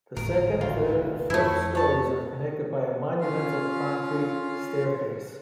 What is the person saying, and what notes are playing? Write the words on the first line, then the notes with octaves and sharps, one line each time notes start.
The second, third, and fourth stories are connected by a monumental concrete staircase.
D1 G#1 A#4
D2 F4 F5
F2 A3 E4
C#5 A5
C#4 F4 F5